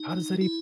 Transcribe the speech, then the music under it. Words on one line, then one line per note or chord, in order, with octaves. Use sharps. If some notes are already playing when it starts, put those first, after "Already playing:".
How does that
Already playing: D#4
E4